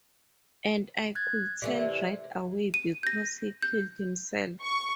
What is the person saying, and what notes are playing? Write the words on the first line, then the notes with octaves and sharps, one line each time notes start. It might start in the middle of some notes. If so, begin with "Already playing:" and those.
And I could tell right away because he killed himself.
F#6 G#6 A6
C3 E3 A3 D5
D#7
G6 A#6
G6
C#6